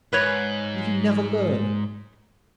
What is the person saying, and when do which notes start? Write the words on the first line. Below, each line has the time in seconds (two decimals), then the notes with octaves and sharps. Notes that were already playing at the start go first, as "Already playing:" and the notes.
Will you never learn?
0.13 G#2 B4 C#5